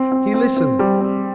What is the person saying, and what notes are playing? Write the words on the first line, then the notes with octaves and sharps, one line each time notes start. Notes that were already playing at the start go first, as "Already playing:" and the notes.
He listened.
Already playing: C4
C4
C4
C4
G3
C4